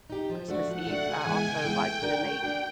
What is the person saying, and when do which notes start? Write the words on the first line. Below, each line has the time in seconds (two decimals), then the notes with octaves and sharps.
Christmas Eve, I also like to make,
0.10 D#4 G4
0.29 F3
0.48 A3 D4 F#4
0.68 F3 F#5
0.87 A3 D4 F#4
1.06 C#3 G#5
1.25 E3 G#3 B3 E4
1.44 C#3 G5
1.63 E3 G#3 B3 E4
1.82 A3
2.02 D4 F#4 A#4
2.21 A3 G5
2.40 D4 F#4 A#4